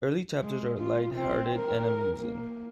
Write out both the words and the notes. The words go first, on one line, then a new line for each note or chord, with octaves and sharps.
Early chapters are light-hearted and amusing.
G#3
F4
C4
A#4
A#3